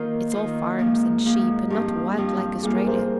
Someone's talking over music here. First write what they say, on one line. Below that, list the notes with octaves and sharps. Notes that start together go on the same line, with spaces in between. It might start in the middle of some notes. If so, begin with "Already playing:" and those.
It's all farms and sheep and not wild like Australia.
Already playing: D#3 A#3 F4 A#4 C5
D#3 A#3 F4 C5
G#2 F3 A#3
G#2 F3 A#3
G2 F3 C4 G4
G2 F3 C4
G3 A#3 F4 G#4
A#4
C5
A#4